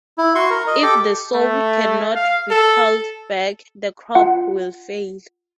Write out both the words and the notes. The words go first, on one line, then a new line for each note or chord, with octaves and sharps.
If the soul cannot be called back, the crop will fail.
E4
F#4 C6 C#6
A#4
D#5
G4 A4 D6
A3
F5
A4
F4 F#5